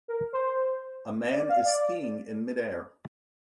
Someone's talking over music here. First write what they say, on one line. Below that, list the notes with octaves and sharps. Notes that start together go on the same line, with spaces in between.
A man is skiing in midair.
A#4
C5
D5
F5
D5